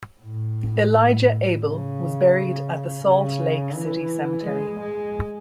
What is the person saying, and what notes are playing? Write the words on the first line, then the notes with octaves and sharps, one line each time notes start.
Elijah Abel was buried at the Salt Lake City Cemetery.
A2
C#3
C#3
E3
G#3
G#3